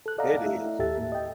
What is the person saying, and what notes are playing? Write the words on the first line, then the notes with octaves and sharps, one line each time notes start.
It is.
A4 F#6
A4 D5 D#5 F5 F#5 A#5
A3 E4 E5
D#2 A2 G4 A4 E5 A6
A#3
D#5 G5